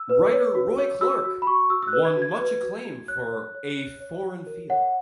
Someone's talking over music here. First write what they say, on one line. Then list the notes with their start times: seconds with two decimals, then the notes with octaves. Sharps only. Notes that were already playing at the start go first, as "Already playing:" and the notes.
Writer Roy Clarke won much acclaim for "A Foreign Field".
Already playing: E6
0.10 B4
0.32 C#5
0.55 F#4
0.79 C#5
1.01 F#4 E6
1.24 F#4
1.42 B5
1.47 F#4 C#6
1.70 F#4 E6
1.83 E6
1.88 F#6
1.93 B4
2.05 G#6
2.16 F#4
2.22 G#6
2.39 B4
2.62 F#4
2.85 F#4
3.08 C#5 F#6
3.32 C#5
3.55 C#5
3.77 C#5
4.00 C#5
4.24 F#4
4.47 A#4
4.70 C#5 F#5